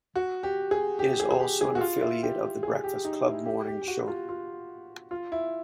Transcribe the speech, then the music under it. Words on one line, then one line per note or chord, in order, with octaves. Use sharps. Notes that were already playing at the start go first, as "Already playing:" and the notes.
It is also an affiliate of The Breakfast Club morning show.
F#4
G4
G#4
G4
G#4
G#4
G4
G#4
F#4
F4
E4
G4
G#4
G4
D#4
E4
G4
G4
G4
F#4
F4
F4
F4
E4